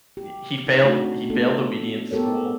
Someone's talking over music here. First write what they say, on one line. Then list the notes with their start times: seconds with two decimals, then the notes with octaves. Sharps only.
i he failed he failed obedience school,
0.17 G4
0.67 D#4
0.84 A3 C4 D4 D#4 F#4 A4
1.30 A3 B3 D4 F4 A4
2.11 B3 G4 A4 A#4 C#5